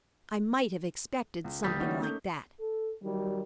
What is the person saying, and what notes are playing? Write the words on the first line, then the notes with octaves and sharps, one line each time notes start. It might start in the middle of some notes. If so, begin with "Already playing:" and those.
I might have expected something like that.
C#2
D#1 D2 G3 D#6
A#3 C#4 D#4 F#4 C#5
A3 G6
A4
D#3 F#3 G3